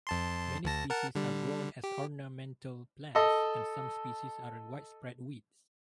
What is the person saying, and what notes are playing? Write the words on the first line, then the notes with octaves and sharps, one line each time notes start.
Many species are grown as ornamental plants, and some species are widespread weeds.
F2 A5 C6
D2 A5 A#6
A#4 F#5 A5
D3 G3
G4
A4 D#5